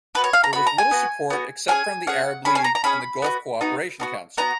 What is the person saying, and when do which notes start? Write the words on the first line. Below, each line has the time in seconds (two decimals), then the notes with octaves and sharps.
There was little support, except from the Arab League and the Gulf Cooperation Council.
0.15 B3 F#4 B4
0.24 C#5
0.33 F5
0.44 A#5
0.53 B3 F#4 B5
0.67 A#5
0.78 G#5
0.91 B3 F#4
1.30 B3 F#4
1.68 C#4 G#4 G#5
2.07 C#4 G#4 F#5
2.45 C#4 G#4 B5
2.55 G#5
2.64 A#5
2.75 A#5
2.84 C#4 G#4 B5
3.22 B3 D#4 F#4
3.61 B3 D#4 F#4
4.00 B3 D#4 F#4
4.37 B3 D#4 F#4 A#5